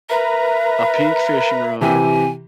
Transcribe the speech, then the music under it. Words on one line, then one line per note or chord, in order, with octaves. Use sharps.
a pink fishing rod."
A#4 B4 E5 A#5
C3 E3 G4 G#5